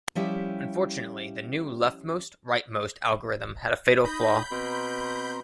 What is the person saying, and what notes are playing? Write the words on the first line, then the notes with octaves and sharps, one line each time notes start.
Unfortunately the new leftmost-rightmost algorithm had a fatal flaw.
F3 G3 C#4 E4 G4 E5
D#4 B5 D#6 G6 A#6
B2 C4 A#5 C6